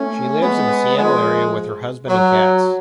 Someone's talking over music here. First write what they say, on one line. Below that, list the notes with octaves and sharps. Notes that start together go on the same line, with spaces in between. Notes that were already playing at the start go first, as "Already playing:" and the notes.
She lives in the Seattle area with her husband and cats.
Already playing: A3 C#4
G#3 B3
F3 G#3
F#3